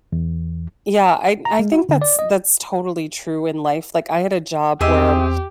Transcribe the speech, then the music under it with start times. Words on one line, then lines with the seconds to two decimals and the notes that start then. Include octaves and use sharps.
Yeah, I I think that's that's totally true in life. Like, I had a job, where
0.12 E2
1.45 A#5
1.59 G#3
1.72 F#4
1.89 D3
2.02 D5
2.19 D#5
4.81 E2 C4 G4 G#4 D#5 E5